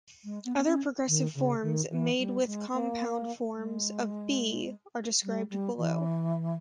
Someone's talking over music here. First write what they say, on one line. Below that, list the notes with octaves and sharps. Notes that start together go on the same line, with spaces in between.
Other progressive forms, made with compound forms of "be", are described below.
G#3
B3
B3
C#4
D#3
C#3
D#3
E3
G3
G#3
A#3
G#3
G3
G3
E3